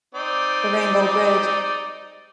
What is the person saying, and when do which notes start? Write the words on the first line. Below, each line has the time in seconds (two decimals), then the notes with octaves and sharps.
the Rainbow Bridge.
0.15 C4 D#4 D5